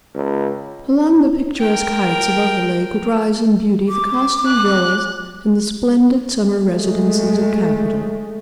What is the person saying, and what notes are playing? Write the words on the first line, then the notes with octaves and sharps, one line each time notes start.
Along the picturesque heights above the lake would rise in beauty the costly villas and the splendid summer residences of capital.
C#2
A#4 G5
D6
F#6
G#3 A3